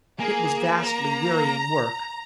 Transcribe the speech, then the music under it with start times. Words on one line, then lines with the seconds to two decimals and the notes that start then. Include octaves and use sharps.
It was vastly wearying work.
0.20 A#3 G#4
0.83 A#5